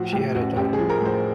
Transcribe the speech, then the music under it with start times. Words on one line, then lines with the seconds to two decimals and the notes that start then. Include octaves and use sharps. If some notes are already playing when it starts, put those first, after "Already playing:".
She had a daughter.
Already playing: A2 F3 F#4
0.12 A2 G4
0.35 A1 F#4
0.56 A1 G4
0.73 G#4
0.79 F3
0.90 A#4
1.01 A2 C5